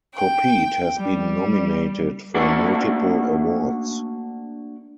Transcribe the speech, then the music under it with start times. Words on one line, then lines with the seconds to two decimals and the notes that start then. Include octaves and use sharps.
Kopete has been nominated for multiple awards.
0.13 G5
0.97 G3
2.34 A3 A#3 D4 F#4 C5 D5